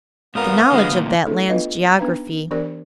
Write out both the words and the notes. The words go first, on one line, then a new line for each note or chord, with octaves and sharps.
The knowledge of that land's geography . . .
G#2 B3 A#4 F5 D#6
D3 G#3
D2 A#2
A3 C4 D4 E4 G#4 A4
B3 D4 F4 B4 D#5 F5
B3 D4 D#4 B4 F5 A#5
E3 B3 D4 G4 A#4 D5